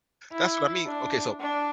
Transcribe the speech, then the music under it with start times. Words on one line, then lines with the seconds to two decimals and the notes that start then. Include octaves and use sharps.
that's what I mean, okay, so,
0.32 E4
0.85 D4
1.40 D4